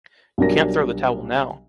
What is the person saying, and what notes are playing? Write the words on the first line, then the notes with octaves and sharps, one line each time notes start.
You can’t throw the towel now!
B1 F#3 G3 D4 A#4 A#6